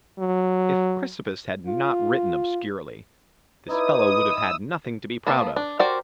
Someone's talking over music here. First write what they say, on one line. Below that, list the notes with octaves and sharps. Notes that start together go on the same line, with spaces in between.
If Chrysippus had not written obscurely, this fellow would have had nothing to be proud of.
F#3
F4
D#4 E4 B4 D5 D#6
E6
A#3 B3 A5
D4
F#4 G4 A#4 C5 D5